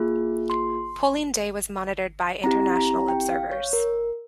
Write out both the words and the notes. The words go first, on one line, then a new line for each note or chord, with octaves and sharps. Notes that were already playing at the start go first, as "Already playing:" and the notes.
Polling day was monitored by international observers.
Already playing: A#3 F4 G#4
C6
C4 E4 G4 A#5
A#5
G5
F5
C#5
A#4